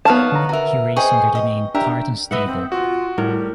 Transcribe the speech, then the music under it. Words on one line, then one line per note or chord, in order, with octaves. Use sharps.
He raced under the name Tartan Stable.
B3 D#4 C#5 F5 A5
D3 A#5
F#4 A#4 E5 A#5
G#4 C5 D#5 G5 C#6
D#5
D4 G4 A#4 E5
B4 D#5 E5 F#5
C4
F4 F#4
A2 G3 A#4